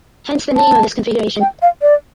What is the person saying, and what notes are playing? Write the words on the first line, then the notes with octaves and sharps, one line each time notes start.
Hence the name of this configuration.
A5
G5
F5
D5